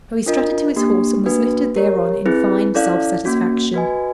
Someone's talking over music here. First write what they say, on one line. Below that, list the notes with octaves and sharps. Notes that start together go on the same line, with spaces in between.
So he strutted to his horse, and was lifted thereon in fine self-satisfaction.
D4 F4 A#4 D#5
A#3 D4 G4
A#3 D4 F#4 B4
G4 A#4 C#5
C4 E4 G#4 B4
C#4 E4 A4 D5 F5
A#3 C#4 F#4
F#4 B4 D#5 G#5